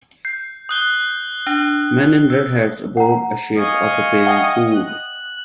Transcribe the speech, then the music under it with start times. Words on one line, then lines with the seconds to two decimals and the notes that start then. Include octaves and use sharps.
Men in red hats aboard a ship are preparing food.
0.25 G6 C7
0.69 D#6 F#6 G7
1.47 D4
2.30 E6
2.97 F#5 A#5
3.57 D#5 F5 G#5 C#6
4.27 E5 F#5 G5
4.74 F#6